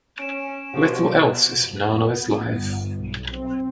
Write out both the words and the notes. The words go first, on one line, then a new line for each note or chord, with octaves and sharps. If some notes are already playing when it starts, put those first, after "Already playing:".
Little else is known of his life.
C#4 D7 E7
B2 F3 F#4 G4 C#6
F2
B3
G1
B1
C4